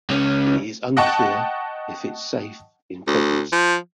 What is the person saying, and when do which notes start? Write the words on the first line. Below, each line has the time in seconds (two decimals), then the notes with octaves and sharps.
It is unclear if it is safe in pregnancy.
0.10 C#2 C#4
0.97 D#5 F#5 G5 A5 C#6
3.07 D2
3.52 F3